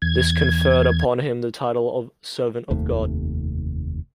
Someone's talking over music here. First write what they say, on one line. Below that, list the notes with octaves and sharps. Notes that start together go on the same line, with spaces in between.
This conferred upon him the title of Servant of God.
E2 G#6
F1 D#2 C3 A3